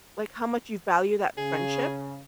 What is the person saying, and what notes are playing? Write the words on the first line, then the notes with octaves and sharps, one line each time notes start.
Like, how much you value that friendship?
C#3 G#4